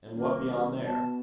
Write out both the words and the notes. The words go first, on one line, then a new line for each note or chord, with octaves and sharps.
"And what beyond there?"
D#1 A#3
B2 A5